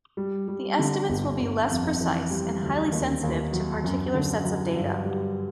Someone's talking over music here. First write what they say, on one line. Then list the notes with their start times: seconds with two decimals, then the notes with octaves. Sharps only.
The estimates will be less precise and highly sensitive to particular sets of data.
0.17 G3
0.48 G3
0.79 D3
1.09 G1
1.39 G1
1.70 F2
2.01 E3
2.31 G3
2.61 D2
2.92 D#2
3.23 D#2
3.53 F#3
3.84 F#2
4.14 D3
4.45 F#3
4.75 G2
5.05 G3